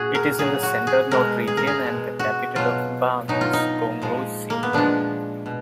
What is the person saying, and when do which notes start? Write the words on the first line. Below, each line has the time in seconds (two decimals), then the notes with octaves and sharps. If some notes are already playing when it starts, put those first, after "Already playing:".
It is in Centre-Nord Region and the capital of Bam is Kongoussi.
Already playing: A#2 F#4 G#4
0.15 A#4
0.38 A#2 F#3 G#4
0.63 F#4
0.87 G#4
1.11 B2 G#3 A#4
1.47 G#4
1.57 A#4
1.67 G#4
1.84 B2 G#3
2.19 F#4
2.55 B2 F#3 F4
3.28 B2 F#3 D#4
3.41 F4
3.53 D#4
4.02 A#2 F3 G#3
4.50 A#3
4.63 B3
4.73 A#2 F3 G#3 D4
5.46 B2